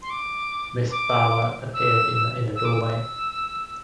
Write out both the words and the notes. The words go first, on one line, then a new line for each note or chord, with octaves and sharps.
Mrs. Bower appeared in the inner doorway.
C6
D6
D6
E6
E6
D6
E6